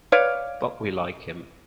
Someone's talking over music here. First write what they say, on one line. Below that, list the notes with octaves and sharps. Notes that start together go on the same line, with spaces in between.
But we like him.
B4 C#5 D5 F5